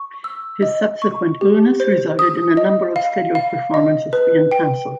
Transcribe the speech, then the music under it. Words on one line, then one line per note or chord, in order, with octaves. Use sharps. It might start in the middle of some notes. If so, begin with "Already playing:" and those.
His subsequent illness resulted in a number of scheduled performances being cancelled.
Already playing: C#6
E6
D#5
C#6
G4
C5
D#6
D#5
F5
F5
D#5
B4
G5